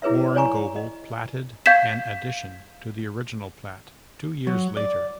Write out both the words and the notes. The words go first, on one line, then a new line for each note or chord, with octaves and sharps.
Warren Goble platted an addition to the original plat two years later.
E4 G#4 B4 C#5 E5
C#5 D5 G#5 A#5 C#6
D#5
F5 G6 G#6 B6 E7
F#3
D5